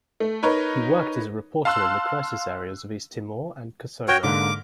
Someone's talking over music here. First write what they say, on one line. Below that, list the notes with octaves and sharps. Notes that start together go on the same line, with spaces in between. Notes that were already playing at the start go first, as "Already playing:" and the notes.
He worked as a reporter in the crisis areas of East Timor and Kosovo.
A3
D#4 A#4 B4 C#5
F5 A5 C6 E6 F#6
F#4 C#5 G5 F6 A#6 G7
G#2 D3 A#3 D6